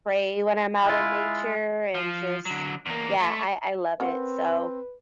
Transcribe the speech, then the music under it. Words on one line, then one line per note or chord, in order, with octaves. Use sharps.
pray when I'm out in nature and just, yeah, I I love it. So,
G#3 E4 F4
F3
D3 F#3
E2 A#3
A3
C4 C#4 A#4 B4 F#5